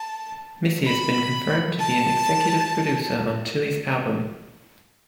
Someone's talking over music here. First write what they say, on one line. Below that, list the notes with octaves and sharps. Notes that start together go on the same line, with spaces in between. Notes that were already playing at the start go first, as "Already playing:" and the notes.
Missy has been confirmed to be an executive producer on Chilli's album.
Already playing: A5
B5
A5